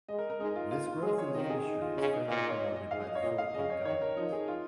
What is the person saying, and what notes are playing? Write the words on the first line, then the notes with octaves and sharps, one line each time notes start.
This growth in the industry is further promoted by the Philippine government.
G#3 D#5
A#4
A#4
G#3 D#4
F4
F4
F4
G#3 G#4
C#5
D#3 D#5
G#4
D#4
F4
C#3 D#4
D#4
A#2 F4
C#5
D#5
D#5
G#2 F5
D#5
C#5
A#2 D#5
F5
C#3 D#5
C#5
D#3 C#5
A#4
F3 D#4
G#4
F4